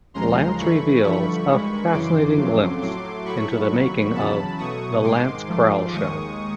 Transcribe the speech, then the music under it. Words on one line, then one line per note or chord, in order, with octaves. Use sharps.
Lance reveals a fascinating glimpse into the making of The Lance Krall Show.
D#2 C#3 F3 G#3 A#5 C6
G2 E3 A3 B5 C#6
G2 D3 F3 A3 B5 C#6
G2 D#3 G#3
F#2 C#3 E3 C6 D6
F2 C#3 F#3 A3
A2 F#3 A3 C6 D6
A2 F#3 A3 B5 C#6
D#2 D#3 F#3
E2 C#3 F#3 A5 B5
B2 F#3 A3 C#6 D#6
G#2 D#3 G#3 C6 D6
G#2 F3 A3
D#2 D#3 G#3 C#6 D#6